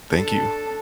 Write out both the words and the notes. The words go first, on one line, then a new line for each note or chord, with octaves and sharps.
Thank you.
D4 A4